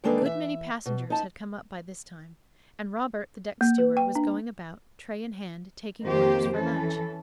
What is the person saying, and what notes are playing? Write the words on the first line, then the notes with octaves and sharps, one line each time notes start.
A good many passengers had come up by this time; and Robert, the deck steward, was going about, tray in hand, taking orders for lunch.
D#3 G#3 A#3 D4 A4 B4
E3 E5
B2
D#4 A5
A#3
B4
G5
D4
F2 D#3 A#3 G4 C5
E3 C#4 A4